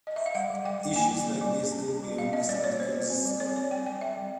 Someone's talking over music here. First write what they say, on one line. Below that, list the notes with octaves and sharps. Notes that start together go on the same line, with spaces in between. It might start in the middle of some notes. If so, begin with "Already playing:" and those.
Issues like these go beyond this articles scope.
D#5
E5
F5
G3 F#5
G3
G3 G5
G3
A#3 G#5
G3
A#3
G3
C#4
C#4
C#4
G3
G3 F5
C#4 D#5
G3 D5
A#3 C#5
G3 C5
G3
C4
G3
C4 C#5
C4 D5
C4 G5
G3 G5
G3 E5
G3